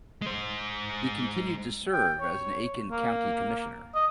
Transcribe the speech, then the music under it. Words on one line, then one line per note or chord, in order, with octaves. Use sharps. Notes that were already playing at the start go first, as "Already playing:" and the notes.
He continued to serve as an Aiken County commissioner.
G#3 C5
G5
C#5
A#3
D#5